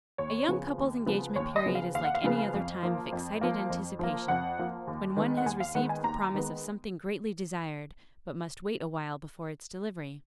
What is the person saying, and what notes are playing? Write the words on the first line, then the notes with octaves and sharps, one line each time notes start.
A young couple's engagement period is like any other time of excited anticipation, when one has received the promise of something greatly desired, but must wait awhile before its delivery.
D#2 C#5
C#3 F3 B3
D#2
C#3 F3 B3
D#2 C#5
D#5
C#3 F3 B3
F5
D#2 F5
F#5
F5
C#3 F3 B3
F2
F3 A#3
F2
F3 A#3
F2
F3 A#3
F2 F#5
F3 A#3
D#2
D#3 G#3 B3
F#5
D#2 G#5
F5
D#3 G#3 B3 F#5
G#5
D#2 A#5
D#3 G#3 B3